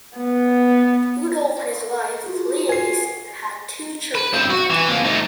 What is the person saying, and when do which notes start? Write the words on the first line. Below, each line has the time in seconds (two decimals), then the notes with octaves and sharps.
Rudolf and his wife Liese had two children.
0.17 B3
2.24 F4 F#4 G#4
2.69 G#5 C7
4.15 B4
4.33 G2 C4
4.50 F#4
4.70 E3
4.89 F2 A#3
5.05 A3 D#4